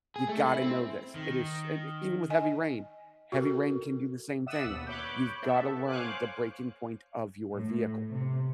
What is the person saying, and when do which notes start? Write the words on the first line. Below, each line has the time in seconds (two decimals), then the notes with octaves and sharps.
You gotta know this, it is s eh, even with heavy rain, heavy rain can do the same thing, you've gotta learn the breaking point of your vehicle."
0.16 G#4
0.28 A3
0.46 E4
0.62 C4
1.15 D#3
2.30 D#5 G#5
3.32 F#4 A4 A#4
4.46 D5 E5 F#5 D#6 E6 E7
4.65 D#2 B2
4.87 C#5 B5 D6 F#6 G6
5.43 B3 A4 E5
5.87 C5 C#5 F5 G#5 D6 F#6
7.52 A2
8.11 C3